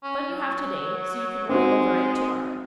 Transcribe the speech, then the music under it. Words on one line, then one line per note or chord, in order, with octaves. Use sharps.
Fun you have to-day so you can worry over it to-morrow.
C#4
F#3
G#3 C4 D#4 F#4